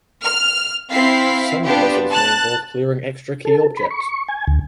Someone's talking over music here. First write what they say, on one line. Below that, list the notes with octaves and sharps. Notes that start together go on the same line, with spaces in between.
Some puzzles may involve clearing extra key objects.
F6
C4 E4 F5 B6 C7
B3 D4 F4 G4
A5 F#6
A4
B5
C#6
G#5
D2